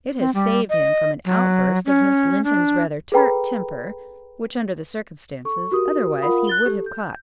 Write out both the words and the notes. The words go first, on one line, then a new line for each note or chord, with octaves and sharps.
It has saved him from an outburst of Miss Linton's rather tart temper, which, under the circumstances, otherwise he would have caught.
C4
G3
D#5
F#3
C#4
D4
G#4 A4 B4 G5 A#5 B5
A4 C#6
F#4 G4 A#4 D#6
F4 A#4 F5 F#5 B5 D#6
F#6 A6 G7
G4 A4
G6